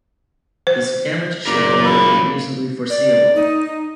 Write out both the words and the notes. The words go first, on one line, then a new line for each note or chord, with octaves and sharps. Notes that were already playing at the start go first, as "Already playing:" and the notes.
This damage should however be reasonably foreseeable.
C5
F#1 A#4 D5
F3 B5
D5
D#4